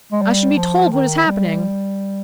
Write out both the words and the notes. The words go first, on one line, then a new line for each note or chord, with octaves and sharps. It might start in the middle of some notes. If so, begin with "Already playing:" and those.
"I should be told what is happening."
G#3
G3
F3
D#3
G3